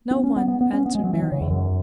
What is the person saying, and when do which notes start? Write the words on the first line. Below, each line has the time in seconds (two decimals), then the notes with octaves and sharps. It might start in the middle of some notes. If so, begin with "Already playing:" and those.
"No one!" answered Mary.
0.11 B3
0.24 C#4
0.36 B3
0.48 B3
0.61 B3
0.73 C#4
0.86 B3
0.95 G#3
1.04 F#3
1.13 E3
1.22 D#3
1.32 C#3
1.41 E2
1.50 F#2